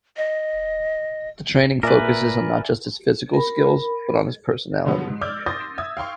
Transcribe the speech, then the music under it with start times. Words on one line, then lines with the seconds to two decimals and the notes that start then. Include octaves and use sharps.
The training focuses on not just his physical skills but on his personality.
0.17 D#5
1.83 A#2 A#4 B4 D5 E5 G#5
3.34 A#4 B5
4.85 G2 D3 F3 F#3 B3
5.08 G#2
5.21 D5 D6 E6 F6 G6 G#6
5.46 C6 D6 D#6 G6 A6 A#6
5.78 E5 D#6 E6 G#6
5.97 F5 G5 C6 C#6